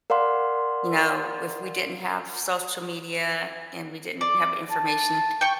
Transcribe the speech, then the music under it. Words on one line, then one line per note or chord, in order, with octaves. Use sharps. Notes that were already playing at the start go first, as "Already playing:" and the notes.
you know, w if we didn't have social media and we didn't have information
A#4 D5 F5 F#5 C6
D5
A5
G5 C#6